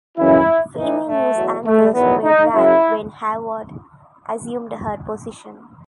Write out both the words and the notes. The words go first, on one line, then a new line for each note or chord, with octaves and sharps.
Female news anchors were rare when Hayward assumed her position.
F#2 C#3 E3 E4
A2 E3 D#4
A3
E2 B2 F#3
A3
E2 D#3 F#3 B3
D#4
F#2 C#3 F#3 E4